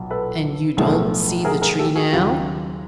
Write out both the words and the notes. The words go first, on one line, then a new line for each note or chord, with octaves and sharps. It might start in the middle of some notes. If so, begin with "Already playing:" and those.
"And you don't see the tree now?"
Already playing: B1 A#2 F#3
A4 B4
B1 A2 F3 A3 G#4 A#4
G#4 A#4
G#4 A#4
G4 A4
F#4 G#4
D#2 C#3 F#3 F4 G4